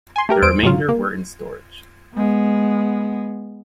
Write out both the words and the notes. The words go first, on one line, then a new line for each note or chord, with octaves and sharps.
The remainder were in storage.
G#5 C6
A3 G4 A#4
E2 C5 D7
G#2 C3 F#3 F4
A#3
G#3 B3